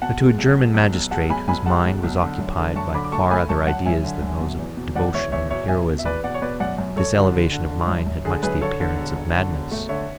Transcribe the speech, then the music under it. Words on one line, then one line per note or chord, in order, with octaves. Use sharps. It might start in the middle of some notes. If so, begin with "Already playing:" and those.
But to a Genevan magistrate, whose mind was occupied by far other ideas than those of devotion and heroism, this elevation of mind had much the appearance of madness.
B2 F#5 A5
G#3
B1
G#3
B1
B1
G#3 F#5 A5
B1 G#5 B5
B1 G#5 B5
G#3 F#5 A5
B1
B1
D3
F#2
D3
F#2 A5 C#6
D3 B5 D6
D6
A3 A5 C#6
A3 G#5 B5
F#2 A5 C#6
F#2 F#5 A5
F#2 E5 G#5
D3
F#2
B2
E2
B2
E2 D5 F#5
E2 C#5 E5
E2 C#5 E5
B2 C#5 E5
B2 E5 G#5
B2
E5
E2 B4 D5
B2 D5 F#5
C#5
B2 B4 D5
F#2 D5 F#5
F#2
F#2 A4 C#5
D3 F#4
D3
D3
D3
F#2
F#2
D3 G#4
F#2 G#4 B4
D3 A4 C#5
D3
E1
D3
D3
E1
A3
D3 C#5 E5